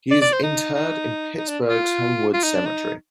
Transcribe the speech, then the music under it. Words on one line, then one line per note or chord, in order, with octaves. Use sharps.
He is interred in Pittsburgh's Homewood Cemetery.
D5
D5
C5
D#4
D#4
D#4
D4
F4
F4
D#4
D4
D#4